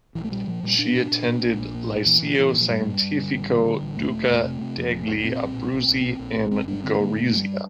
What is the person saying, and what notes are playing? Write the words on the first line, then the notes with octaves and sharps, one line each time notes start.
She attended liceo scientifico Duca degli Abruzzi in Gorizia.
A#1 E3
A3
A#2 G3
A#2 F3
A#2 G3
A#2 D4
A#2
A#2
A#2
A#1
A#1
A#2
A#2
A#2 E3
A#2
A#2 E3
A#2
F3
G2 G3
G2
G2
D3
A1
D3
D3
A1
F1 A3
F1
F1
C3
C3
F2
F1
F1
A#2 C4
A#1
A#1
A#1
A#1
A#1
A#1
A#1
G1 C4
G2 D4
D3 C4
D3 A#3
G1 A3
G2
G3